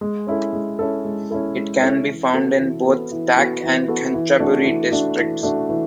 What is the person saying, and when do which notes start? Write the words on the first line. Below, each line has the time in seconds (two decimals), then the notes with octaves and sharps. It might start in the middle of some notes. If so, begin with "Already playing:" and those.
It can be found in both Tak and Kanchanaburi districts.
0.01 G#3
0.27 C#4 E4 A4
0.53 G#3
0.79 C#4 E4 A4
1.05 G#3
1.31 C#4 E4 A4
1.56 G#3
1.81 C#4 E4 A4
2.07 E3
2.33 B3 F#4 A4
2.60 E3
2.84 B3 F#4 A4
3.11 E3
3.36 B3 F#4 A4
3.63 E3
3.88 B3 F#4 A4
4.14 E3
4.39 A3 D4 F#4
4.65 E3
4.91 A3 D4 F#4
5.17 E3
5.43 A3 D4 F#4
5.69 E3